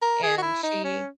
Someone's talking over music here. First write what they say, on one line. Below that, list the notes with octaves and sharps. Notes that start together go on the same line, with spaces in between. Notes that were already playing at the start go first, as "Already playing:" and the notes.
and she
A#4
G#4
F#4
E4
D#4
C#4